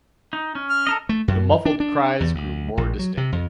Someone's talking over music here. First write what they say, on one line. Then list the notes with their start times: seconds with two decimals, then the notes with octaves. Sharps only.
The muffled cries grew more distinct.
0.33 D#4
0.55 C#4
0.70 F6
0.87 A4 A#4 D#5
1.09 A3
1.28 F#2
1.65 D4
1.80 D4
2.20 E2
2.35 D2
2.77 A#1
2.99 F#3
3.17 C3
3.32 F2